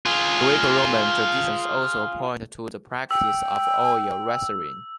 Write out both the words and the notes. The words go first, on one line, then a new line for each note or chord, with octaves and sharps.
Greco-Roman traditions also point to the practice of oil wrestling.
F4 G#4
G5 E6